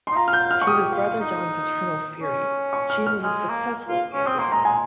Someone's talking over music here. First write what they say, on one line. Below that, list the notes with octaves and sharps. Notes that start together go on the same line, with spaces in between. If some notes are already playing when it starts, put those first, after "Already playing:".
To his brother John's eternal fury, Gene was a successful gambler.
C6
D#4
F4 A#5
F6
G6
F6
C#6
G4 D#6
F4
D#4
C#4
C#6
F6
F6
G#3 F6
A#3
F4
C#4
C4 D#6
A#3 C6
G#3 A#5
G#3 G#5